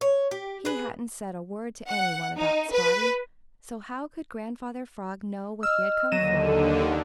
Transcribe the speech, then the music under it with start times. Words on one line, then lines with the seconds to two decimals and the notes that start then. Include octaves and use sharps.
He hadn't said a word to any one about Spotty, so how could Grandfather Frog know what he had come for?
0.01 C#5
0.31 G4
0.65 G#4 B4
1.88 F#5
2.37 D#4
2.71 B4
5.63 D#5 E6 F6
6.12 D#2 D3 F#3 A#6 D#7 E7
6.48 A4